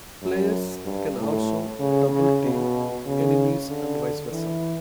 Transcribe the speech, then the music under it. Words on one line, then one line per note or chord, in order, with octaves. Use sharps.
Players can also double-team enemies and vice versa.
F#2
G2
A2
C#3
C#3
B2
C#3
D3
E3